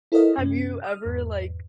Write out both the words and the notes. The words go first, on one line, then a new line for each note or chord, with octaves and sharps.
Have you ever, like,
E4 A4 A#4 C5 D#5 F5
F#2 C3 C#4
D#6 F6
E2 G#2